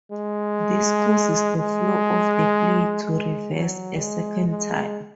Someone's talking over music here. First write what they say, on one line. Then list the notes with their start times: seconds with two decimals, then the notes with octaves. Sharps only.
This causes the flow of the play to "reverse" a second time.
0.12 G#3
1.58 G#3
3.03 G#3
3.52 F#3
4.00 G#3
4.48 G#3